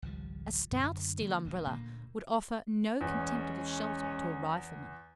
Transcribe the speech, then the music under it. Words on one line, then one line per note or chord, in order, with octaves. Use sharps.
A stout steel Umbrella would offer no contemptible shelter to a rifleman.
G#1 C#2 F3 G3
F#2 D3
D3 F3 F#3 A#3
D#1 D2 F#3 G#3
D2 A#2 A#3
E2 G#3 C#4